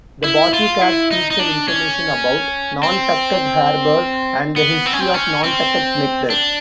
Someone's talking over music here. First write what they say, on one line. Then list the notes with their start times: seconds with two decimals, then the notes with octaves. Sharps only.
The bottle caps feature information about Nantucket Harbor and the history of Nantucket Nectars.
0.24 E4
0.54 F4
0.81 E4
1.11 D#4
1.31 D#4
1.40 D4
1.68 C#4
2.83 C4
4.56 B3
4.86 C4
4.93 C#4
5.00 C4
5.14 C#4
5.43 C4
6.30 D4